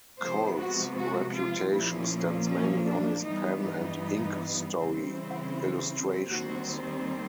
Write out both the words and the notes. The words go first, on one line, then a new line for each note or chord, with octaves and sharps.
Coll's reputation stands mainly on his pen and ink story illustrations.
C3 F3 G#3 B3 C5
F#4
F#4
F4
A#2 F3 A#3 C#4 E4
C#4
D4
G2 E3 G3 B3 D#4
D#4
C#3 E3 G3 C4
E4
D#2 D#3 G3 C4 F#4